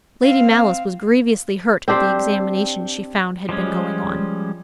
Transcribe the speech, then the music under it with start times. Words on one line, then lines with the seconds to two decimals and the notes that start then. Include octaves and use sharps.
Lady Malice was grievously hurt at the examination she found had been going on.
0.23 C4 F5
1.88 C4 D4 G4 C5
3.49 F3 G3 G#3 C#4